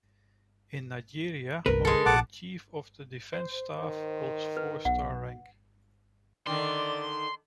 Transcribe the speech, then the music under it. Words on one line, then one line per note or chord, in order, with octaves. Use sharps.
In Nigeria, only the Chief of the Defence Staff holds four-star rank.
G1 C2 G2 A#4 B4
G#3 A4
A#1 F#5 A5 D6
C5
D#3
B4
B1 F#5
D3 D#3 D5 C6